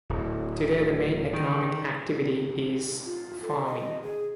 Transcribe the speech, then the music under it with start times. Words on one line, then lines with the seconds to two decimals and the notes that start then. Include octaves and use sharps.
Today the main economic activity is farming.
0.09 D1
1.33 D#3
3.06 F4
3.42 A4
3.65 D#5
4.03 G#4